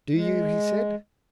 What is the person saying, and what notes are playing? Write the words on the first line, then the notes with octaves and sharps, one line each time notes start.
"Do you?" he said.
G#3